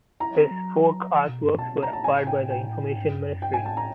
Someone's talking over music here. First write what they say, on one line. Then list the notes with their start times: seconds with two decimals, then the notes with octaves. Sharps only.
His folk artworks were acquired by the Information Ministry.
0.20 E4 A#5
0.36 C4
0.51 F#3
1.13 F3
1.28 B2
1.43 G2
1.58 B2 A5
1.74 B2
1.83 A#5
1.89 A#2 A5
2.04 A2 G#5
2.27 G5
2.50 G5
2.96 G#2
3.12 G2
3.27 F#2
3.42 G2 G5
3.53 G#5
3.57 G#2
3.65 A5
3.73 A2 A#5